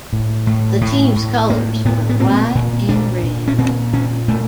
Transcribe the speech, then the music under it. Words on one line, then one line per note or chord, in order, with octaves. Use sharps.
The team's colors were white and red.
A2
A2
A2
A2
A2 A#3
A2 B3
B3
A#2 C4
A#2
A#2 D4
A#2
C#4
A#2 C4
A#2 C#4
A#2 A3